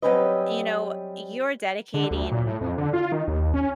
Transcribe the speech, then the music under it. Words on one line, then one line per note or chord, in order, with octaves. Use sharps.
you know, you're dedicating
F#3 G3 C4 C#4 B4 D#5
D3
D2
A#2
A2
F2
D3
F4
D#3
D#2
C#4